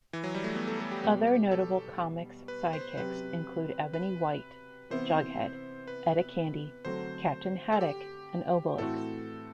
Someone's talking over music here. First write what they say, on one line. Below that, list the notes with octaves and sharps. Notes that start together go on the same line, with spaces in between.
Other notable comics sidekicks include Ebony White, Jughead, Etta Candy, Captain Haddock, and Obelix.
E3
F#3
G3
A3
B3
A4
A4
G4
B2 G3 B3 G4
G4
A4
B4
C5
C3 F#3 C4 G4 B4
B4
C3 E3 B3 E4 C5
B4
D3 F#3 A3 C4 F#4 C5
A4
G4
A2 E3 A3 C4 F#4 A4